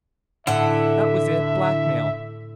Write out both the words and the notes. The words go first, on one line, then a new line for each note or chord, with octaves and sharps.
That was it--blackmail.
A2 D3 E4 A4 E5 F#5